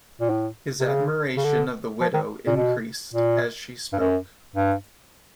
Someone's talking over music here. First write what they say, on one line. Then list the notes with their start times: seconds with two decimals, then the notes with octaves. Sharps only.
His admiration of the widow increased as she spoke.
0.21 A#2
0.30 A2
0.80 C3
0.87 C#3
1.37 C#3
1.44 D3
2.01 F3
2.14 D#3
2.47 A#2
2.56 B2
3.14 A#2
3.93 G2
3.99 F#2
4.56 G2